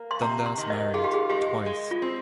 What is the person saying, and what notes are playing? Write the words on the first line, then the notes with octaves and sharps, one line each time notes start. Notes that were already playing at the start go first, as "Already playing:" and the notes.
Dundas married, twice.
Already playing: A#3
C6
C3 A#5
C6
D#3
D#5
F4 G#4
G4
G#4
G#3 G4
G#3
F4
C4